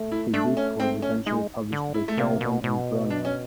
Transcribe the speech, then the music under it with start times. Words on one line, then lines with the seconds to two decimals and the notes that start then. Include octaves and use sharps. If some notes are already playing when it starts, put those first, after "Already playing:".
The book was eventually published by Fedogan and Bremer.
Already playing: A3
0.12 E4
0.33 A3 D4
0.57 C#4
0.80 C4
1.02 C#4
1.26 G#3 D#4
1.72 D3
1.94 E4
2.08 A3
2.17 C3 A#3
2.41 B2
2.64 B2
3.10 D4
3.25 C#4